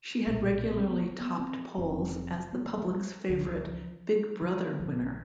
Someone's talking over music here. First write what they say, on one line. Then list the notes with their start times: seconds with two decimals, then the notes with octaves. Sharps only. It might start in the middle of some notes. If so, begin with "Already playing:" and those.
She had regularly topped polls as the public's favourite Big Brother winner.
0.27 B1 A#2
0.65 B3
0.77 C4
0.89 B3
1.02 A#3
1.21 B3
1.40 C4
1.78 F1 F2 C3 C#4
2.53 B3
2.66 A#3
2.78 A3
2.86 G#3
2.92 G3
3.29 C#2 D#3
3.33 C#3
3.38 D3
3.48 D#3
3.57 E3
3.67 F3
4.42 F#3
4.79 A#1 G#2 F3